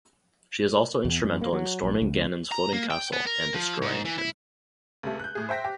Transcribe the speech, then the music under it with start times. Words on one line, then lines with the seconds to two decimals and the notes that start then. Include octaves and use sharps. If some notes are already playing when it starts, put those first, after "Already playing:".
She is also instrumental in storming Ganon's floating castle and destroying him.
1.05 E2
1.24 F#2
1.41 A#3
1.53 F#3
1.83 A#1
2.02 C#2
2.52 A#5
2.73 A#3
2.91 G5
3.13 B3
3.27 A#4
3.55 F3
3.82 G#2
4.05 E3
4.18 E4
5.03 C#2 C3 A3
5.19 F#6 G6
5.35 A2 G#4
5.49 C5 E5 G5 A#6 B6
5.64 G4